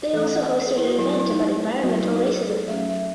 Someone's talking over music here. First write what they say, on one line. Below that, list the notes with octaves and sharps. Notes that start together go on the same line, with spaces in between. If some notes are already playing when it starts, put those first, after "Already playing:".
They also hosted an event about environmental racism.
E3 A3 C#4 A4
A4
F#5
D#5
C#5
G#4
E4
F#4
F#3 B3 E4
F#4
E4
D#4
F#3 B3 F#4
E4
D#4
F#4
G#4
G#4
A4
G#4
F#3 A3 C#4 E5
E5